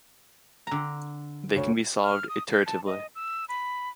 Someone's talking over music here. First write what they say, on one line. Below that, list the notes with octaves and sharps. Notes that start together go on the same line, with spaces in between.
They can be solved iteratively.
D3 A#5
D2 C#5
F6
D#6
G6
A5
D#5
E6
B5